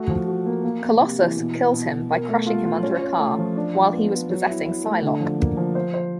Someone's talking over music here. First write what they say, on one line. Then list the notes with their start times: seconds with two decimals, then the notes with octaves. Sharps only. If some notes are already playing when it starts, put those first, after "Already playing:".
Colossus kills him by crushing him under a car, while he was possessing Psylocke.
Already playing: A3 F#4
0.09 F3
0.27 F#4
0.46 A#3
0.64 A#3
0.82 A#3
1.00 C3
1.19 E3
1.37 B2
1.55 B3
1.73 B2
1.92 B2
2.10 A#4
2.29 A3
2.46 F4
2.65 F4
2.83 C#4
3.01 C#4
3.19 A3
3.38 F3
3.56 D4
3.74 F4
3.93 B3
4.11 B3
4.30 F#3
4.48 E4
4.66 E4
4.84 A3
5.03 D3
5.20 F3
5.39 A#3
5.57 F3
5.75 C5
5.94 C5